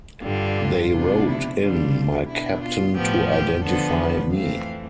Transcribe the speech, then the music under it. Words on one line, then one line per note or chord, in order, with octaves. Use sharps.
They roped in my captain to identify me.
G2 D3 G3 F4
C3 F3 B3 D4
E4
D3 G3 D4 F4
B2 B3 D4 E4
F4
A2 F3 B3 G4
G4
D3 F3 B3 A4
B4
F2 E3 A3 C4 F5